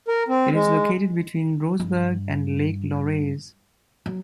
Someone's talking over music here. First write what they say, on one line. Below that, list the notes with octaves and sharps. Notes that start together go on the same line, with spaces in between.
It is located between Rossberg and Lake Lauerz.
A#4
C4
G#3
G2
F#3